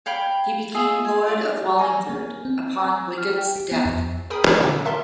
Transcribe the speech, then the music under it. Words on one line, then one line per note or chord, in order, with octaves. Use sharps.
He became lord of Wallingford upon Wigod's death.
C#5 F5 G5 B5
F4 G#4 D#5 E5
G#5
F4 D5
G#5 A#5
A#3
C4
G#5
F6
G5
G4
B3
F2
G#4 A#4 G5 B5 D#6
A#2 D3 F#3 C#4 D6 E6
A#4 E5 A5 C6